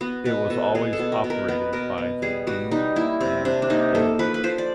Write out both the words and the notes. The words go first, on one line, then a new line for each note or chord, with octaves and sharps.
It was always operated by the B and A.
B3 F#4
B2 B4
B2 A4
B2 G#4
A4
B2
A#4
B2
A#4
B3 B4
B2 A#4
B3
G3 G#4
G3 F#4
G3 D#4
A#3 E4
C3 C4
C3 D4
D4
A#3 D#4
A#3 A4
F3 B4
B4
F3 C5
D5